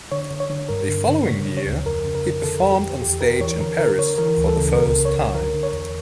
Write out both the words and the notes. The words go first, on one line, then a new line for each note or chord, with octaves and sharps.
The following year, he performed on stage in Paris for the first time.
D3 C#5
D3
C#5
D3
G2 A#4
D3
D3
C#3 C#5
C#3
C#5
D2
F2 A#4
C#3
A#4
F2
D3 A4
F2
G4
F2
E2 G4
E2 A#4
E3 C#5
D3 A#4
D3 A#4
D3 C#5
E3 A#4
D2
A4
C#3
C#2 A#4
C#3
C#5
C#2
D3 A#4
D3
C#5
E2